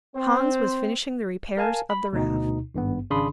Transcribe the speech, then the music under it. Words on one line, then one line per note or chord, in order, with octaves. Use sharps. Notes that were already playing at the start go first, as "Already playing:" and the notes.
Hans was finishing the repairs of the raft.
C4 C5
A#4 F5 G#5 A5
B5
D2 B2 D#4
G#1 G2 B3
G#1 C#3 D4 B5 C6 D#6